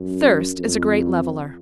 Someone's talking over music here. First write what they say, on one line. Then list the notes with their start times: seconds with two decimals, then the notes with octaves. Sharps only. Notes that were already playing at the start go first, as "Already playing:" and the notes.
Thirst is a great leveller.
Already playing: F#2
0.57 F2